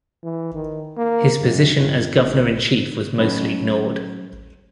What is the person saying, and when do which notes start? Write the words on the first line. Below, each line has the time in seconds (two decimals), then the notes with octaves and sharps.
His position as Governor-in-chief was mostly ignored.
0.23 E3
0.55 D#3
0.97 A#3
1.41 F#2
1.76 G1
2.18 A1
3.18 F#3 A3 C#4 D#4 B4